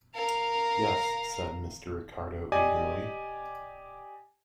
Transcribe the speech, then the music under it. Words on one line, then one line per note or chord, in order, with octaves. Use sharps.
"Yes," said Mr. Ricardo eagerly.
A#4 F5
G4 D5 D#5 G#5